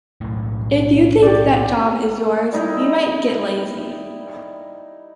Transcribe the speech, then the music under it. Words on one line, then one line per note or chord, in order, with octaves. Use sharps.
If you think that job is yours, you might get lazy.
B1 A2
G4 D5
G3 D#4 E4